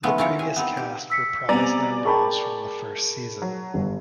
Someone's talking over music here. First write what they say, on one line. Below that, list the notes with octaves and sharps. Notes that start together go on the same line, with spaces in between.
The previous cast reprised their roles from the first season.
D#3 F3 G#3 A3 B3 C#4
C#4 E4 F4 A#4 C#5
C3 G#5 A#5
B3 C4 D#4
G4
E6 B6 C#7
G3 B3 C4 D5 G#5 A#5
G#4 A#4 G5 A5 B5 C#6
F#3
G1